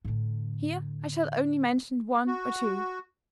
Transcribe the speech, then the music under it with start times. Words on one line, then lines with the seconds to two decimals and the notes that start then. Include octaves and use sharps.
Here I shall only mention one or two.
0.05 A2 D3
2.27 F#4